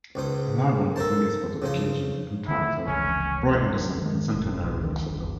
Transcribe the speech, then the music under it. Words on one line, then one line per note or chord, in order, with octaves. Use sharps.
An album was released for the occasion, entitled "Roy Henderson: A Centenary Recital".
C#2 G#2 C5
A4 A#4 C5 A5
C#3 F3 C5
D3 F3 A3 E4
F1 C#2 E3 C#4
D2 F#3
D#3 G#3
E1
B1 B2
C#2 D#3 C#4 D4
G1 D2